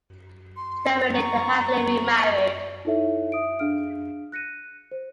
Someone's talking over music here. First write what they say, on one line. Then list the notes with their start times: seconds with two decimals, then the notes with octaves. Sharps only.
Steinway later happily remarried.
0.57 C6
1.13 A#5 C#6
2.85 D#4 E4 A4 C#5 E5
3.32 E5 D#6 D7
3.59 D4 G#4 F5 F6 D7
4.32 F#6 A#6 C#7 D#7
4.91 C5